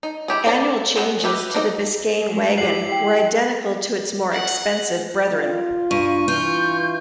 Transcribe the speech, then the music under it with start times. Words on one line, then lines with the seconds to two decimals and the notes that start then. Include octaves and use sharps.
Annual changes to the Biscayne wagon were identical to its more expensive bretheren.
0.03 D#4
0.28 E4 G4 G#4
0.45 B3 C4 D5 G#5 A#5
0.96 G#3 A3 B3 C4
1.24 E4 G4 B4
1.55 A#3 C4 D#4 D#5
2.21 G#3 A3
2.57 E4 G4 C5 F#5 C7 F#7
2.92 G5
4.31 F#5
5.32 F4
5.91 G2 C#6 D#7
6.28 E3 F4 G6